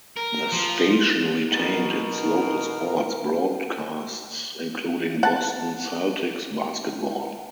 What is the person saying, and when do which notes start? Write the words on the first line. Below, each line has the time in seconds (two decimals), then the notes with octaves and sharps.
The station retained its local sports broadcasts including Boston Celtics basketball.
0.16 A#4
0.52 F3
1.52 B2 A#4
5.23 F#5 A5